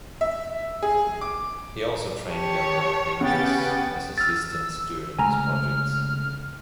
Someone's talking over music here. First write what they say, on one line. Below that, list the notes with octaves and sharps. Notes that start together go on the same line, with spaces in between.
He also trained younger painters as assistants during his projects.
E5
G#4
D6
G4 C#5 A5 C#6
C#3 B3 C#4 G4 F#5 G5 A6
E6 F6 A6
C#3 G#3 A3 G#5 A#5 F6